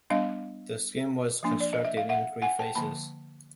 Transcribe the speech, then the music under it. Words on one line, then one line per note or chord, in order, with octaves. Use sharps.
The scheme was constructed in three phases.
G3 B3 D4 D#5 F5
F3 A#3 D4
D5
D#5
E5
F5
E5 F#5
F#5 G#5
G5 A5
D3 F3 A#3 A5 B5